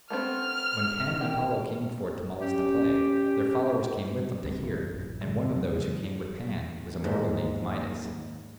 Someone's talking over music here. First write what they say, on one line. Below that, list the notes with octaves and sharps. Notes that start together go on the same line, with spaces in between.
When Pan and Apollo came before Tmolus, to play, their followers came with them, to hear, and one of those who came with Pan was a mortal named Midas.
A3 B3 C4 F6
A#3 G5
C#4 G4
C#2 F3 C4
B1 F#2 E3
A1 F#2
A2 C#3 E3 G#3
E2 F#3 A#3
C#3 E3 F#3 G#3
D#2 G#2